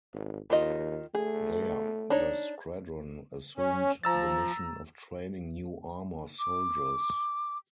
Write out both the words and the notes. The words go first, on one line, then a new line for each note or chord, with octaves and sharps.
There, the squadron assumed the mission of training new armor soldiers.
G#1
D#2 D#3 F4 D#5
A3 G#4
D4 D#4 C#5
C#4
F3 A#5 E6 A6
D6